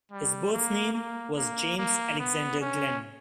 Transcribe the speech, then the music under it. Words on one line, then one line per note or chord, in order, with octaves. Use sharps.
His birth name was James Alexander Glenn.
G3
A#3
A#3
A#3
A#3
B3
C#4